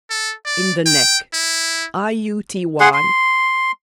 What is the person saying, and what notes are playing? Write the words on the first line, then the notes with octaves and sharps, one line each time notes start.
In the neck. I.u.t.y.
A4
D5
G5
E4
G#4 F#5 C6
C6